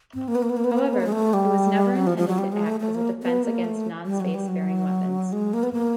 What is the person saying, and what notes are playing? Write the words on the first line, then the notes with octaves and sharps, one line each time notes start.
However, it was never intended to act as a defense against non-space faring weapons.
C4
A#3
B3
A#3
B3
A#3
B3
A#3
B3
A#3
B3
A#3
G#3
A3
G3
F#3
F3
F3
F#3
G3
G#3
A3
A3
A#3
B3
A#3
A3
G3
F#3
G3
F#3
G#3
A#3
B3
A#3